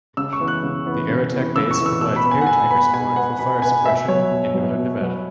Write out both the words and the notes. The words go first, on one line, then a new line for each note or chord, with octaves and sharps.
The Air Attack Base provides air tanker support for fire suppression in northern Nevada.
C#3 E6
C#6
E3 B3
F#6
C#3
E3 B3
C#3
E3 B3
C#3 E6
C#6
E3 B3
E6
B2 E6
B5
B3
G#5
F#5
B2 G#5
B3 B5
B2 G#5
B3 F#5
B2 B5
B3 G#5
B2 E5
F#3 B3 C#5
B2
F#3 B3
B2
F#3 B3